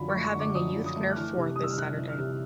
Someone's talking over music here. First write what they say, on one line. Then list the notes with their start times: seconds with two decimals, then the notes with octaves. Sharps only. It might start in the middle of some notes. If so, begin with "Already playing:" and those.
We're having a youth nerf war this Saturday.
Already playing: F#2 D3 F3 B5
0.09 C#6
0.14 A3
0.24 C#6
0.35 D3 D6
0.55 F#2 D#6
0.76 F3
0.86 D#6
0.96 A3
1.10 F#6
1.16 E3 F6
1.37 C3
1.56 G3 D#6
1.64 E6
1.71 F6
1.78 C3 F#6
1.98 E3
2.09 F6
2.18 C3